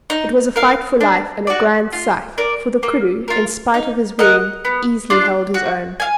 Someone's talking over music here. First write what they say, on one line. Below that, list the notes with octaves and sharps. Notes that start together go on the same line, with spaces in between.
It was a fight for life and a grand sight; for the koodoo, in spite of his wound, easily held his own.
D#4
A#4 F5
D4
F#4 D5
F4
A#4 D5
A#3
F4 A#4
D#4
A#4 D#5 F#5
B3
D4 F4
F#4
F5 G#5